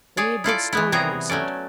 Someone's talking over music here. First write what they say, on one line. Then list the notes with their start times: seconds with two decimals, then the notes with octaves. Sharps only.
Only a big stone I loosened.
0.17 G#4 C#5 D5
0.44 E4 F4 A4 D5
0.73 E3 B3 E4
0.92 C3 G3 B3 G#4 C#5 A#5
1.29 F#3 A3 C#4 D5